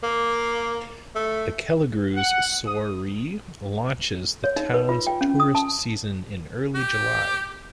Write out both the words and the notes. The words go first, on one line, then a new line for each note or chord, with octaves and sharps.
The Kelligrews Soiree launches the Town's tourist season in early July.
A#3
A3
F#5
D#6
C#5
D#4
B4
F4
G5
C#4
D#6
A5
G4